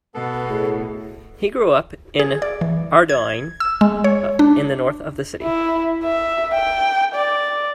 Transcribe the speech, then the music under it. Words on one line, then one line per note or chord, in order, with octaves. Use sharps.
He grew up in Ardoyne in the north of the city.
B2 B3 A4
A2 G#4
G#4
D5
E3
G#6
E6
G#3
C#5
D4
E4
E5
G5
D5